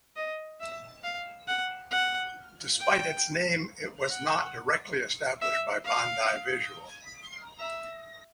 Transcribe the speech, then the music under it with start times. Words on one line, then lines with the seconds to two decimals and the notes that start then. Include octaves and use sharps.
Despite its name it was not directly established by Bandai Visual.
0.16 D#5
0.60 E5
1.03 F5
1.47 F#5
1.91 F#5
2.79 G5
4.10 F#5
5.42 E5
5.85 F5
7.60 E5